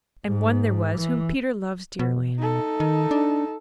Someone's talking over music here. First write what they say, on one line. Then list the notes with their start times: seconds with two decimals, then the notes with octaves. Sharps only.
And one there was whom Peter loves dearly.
0.25 G#2
0.97 E3
1.99 B2
2.39 D#4 A4
2.80 D#3
3.11 D4